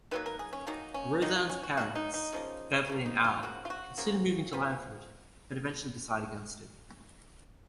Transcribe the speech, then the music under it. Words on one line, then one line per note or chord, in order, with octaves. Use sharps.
Roseanne's parents, Beverly and Al, consider moving to Lanford, but eventually decide against it.
D#3 F#3 A#3 B4
A#4
G#4
C#4
D#3 F#3 A#3 D#4
C#4
D#3 F#3 A#3 D#4
F4
C#4
F#4
D#3 F#3 A#3 F#4
D#4
D#4
C#3 F3 A#3
C#3 F3 A#3
D#4
F4
C#3 F3 A#3 F#4
F4
F#4
C#3 F3 A#3
F3 G#3 B3